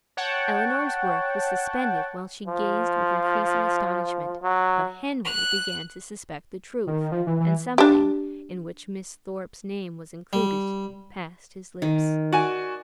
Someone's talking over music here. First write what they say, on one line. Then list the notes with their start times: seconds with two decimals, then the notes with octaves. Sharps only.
Eleanor's work was suspended while she gazed with increasing astonishment; but Henry began to suspect the truth, and something, in which Miss Thorpe's name was included, passed his lips.
0.17 C#5 F#5 G5 A5
2.47 F3
4.42 F#3
5.24 F#6
6.87 D#3
7.12 F3
7.27 E3
7.40 E3
7.78 D4 G4
10.33 G3
11.82 D#3
12.33 F#4 D5 G#5